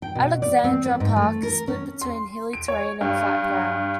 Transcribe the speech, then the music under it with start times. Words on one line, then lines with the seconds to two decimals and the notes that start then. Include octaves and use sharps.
Alexandra Park is split between hilly terrain and flat ground.
0.02 G5
0.15 B2
0.42 D5
0.64 C4
0.86 B3
1.00 G#2
1.16 A3
1.43 A#4
1.68 C#4
2.01 C6
2.53 D7
2.68 C#5
3.01 G2